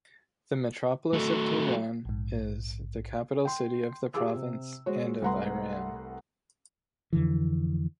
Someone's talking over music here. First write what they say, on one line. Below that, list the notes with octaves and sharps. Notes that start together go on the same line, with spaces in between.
The metropolis of Tehran is the capital city of the province and of Iran.
F#3 A3
A#1 G#2
G5 C6
F4 G4 G#4 D6 E6
C3
G#3 F#4 C5 C#5
C2 A3 B4 F#5 A#5 C6
F2 D3 E3